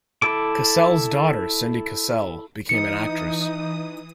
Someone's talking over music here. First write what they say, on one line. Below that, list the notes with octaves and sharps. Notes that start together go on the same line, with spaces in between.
Cassell's daughter, Cindy Cassell, became an actress.
E4 A4 D6
E3 D#4 D#6 C#7